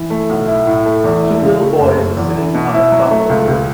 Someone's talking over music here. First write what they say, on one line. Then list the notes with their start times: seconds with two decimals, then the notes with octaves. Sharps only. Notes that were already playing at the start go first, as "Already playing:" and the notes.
Two little boys are sitting on a clump of dirt.
Already playing: E3
0.10 A3
0.29 B1
0.48 E4
0.67 A2
0.86 A3
1.04 E2
1.23 E4
1.42 C#3
1.60 A3
1.79 F#1
1.98 F#1
2.17 E2
2.36 E3
2.54 B2
2.74 E4
2.92 F#3
3.11 A3
3.30 C#2
3.48 C#2